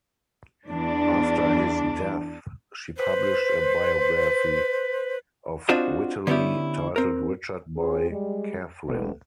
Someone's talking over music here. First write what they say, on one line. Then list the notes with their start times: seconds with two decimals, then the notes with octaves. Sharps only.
After his death, she published a biography of Whiteley titled Richard by Kathryn.
0.69 E2 D4
2.97 B4 C5
5.69 C4 D4 F4 F#4 C5 D#5
6.27 D3 B3 C#4 E4 G4
6.96 C4 A#4
7.76 C4 F4 G#4
8.10 G3 G#3
8.89 E1 C3 A3 B3